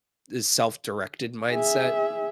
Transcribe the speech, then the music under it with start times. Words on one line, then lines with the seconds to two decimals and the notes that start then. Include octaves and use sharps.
the self-directed mindset,
1.51 G#4 E5